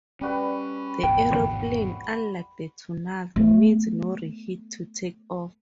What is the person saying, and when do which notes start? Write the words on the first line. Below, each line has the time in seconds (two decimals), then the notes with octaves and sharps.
The aeroplane, unlike the Tornado, needs no reheat to take off.
0.21 G3 C#4 F#4 B4
1.03 G#1 E2 B2 G5
3.36 A3 B3